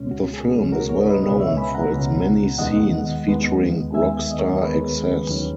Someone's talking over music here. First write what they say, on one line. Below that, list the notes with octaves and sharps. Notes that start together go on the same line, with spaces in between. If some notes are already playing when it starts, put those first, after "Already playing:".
The film is well known for its many scenes featuring rock star excess.
Already playing: C#2 B2 G#3 C#4
F#4
G#4
C#2 B2 G#3 C#4 G#4
F#4 A#4
A#4 C#5
B4 D#5
C#2 B2 G#3 C#4 B4 D#5
C#5 E5
G#5 B5
F#5 A#5
C#2 B2 G#3 C#4
D#2 D#3 G#3 B3 D#5 F#5
D#2 D#3 G#3 B3
D#2 D#3 G#3 B3 E5 G#5
D#5
A#4 C#5
D#2 D#3 G#3 B3 G#4 B4
D#2 D#3 F#3 C#4